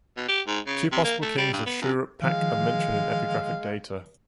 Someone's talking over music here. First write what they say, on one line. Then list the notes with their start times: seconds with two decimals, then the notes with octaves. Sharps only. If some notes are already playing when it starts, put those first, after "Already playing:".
Two possible kings of Shuruppak are mentioned in epigraphic data.
0.17 B2
0.28 G4
0.47 G#2
0.67 C#3
0.92 C3
1.04 A#3
1.22 A3
1.37 G3
1.53 G2
1.66 B3
1.81 F#2
2.22 D#3 F3 G#3 F5